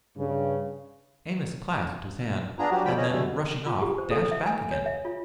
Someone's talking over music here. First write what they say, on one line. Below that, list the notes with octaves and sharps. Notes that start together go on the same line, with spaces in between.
Amos clasped his hand, and then, rushing off, dashed back again.
G2 C#3
B3 D4 F4 G#4 A#5
F#3 G3 F#4 G4
D3 F3 G3 F4 G5 B5
C#3 C#4 C#5 D#5
F#2 B2 D3 G3 A3
F4
G4
C5
A4
E5
G#5
C#5
E5
F4